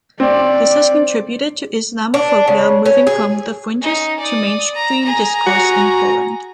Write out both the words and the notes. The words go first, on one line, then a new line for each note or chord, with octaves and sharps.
This has contributed to Islamophobia moving from the fringes to mainstream discourse in Poland.
C4 D5
D4
C#3
C#4
G#4
C#4 D#4
D5 D#6
A#5
G#4 A#5
F#4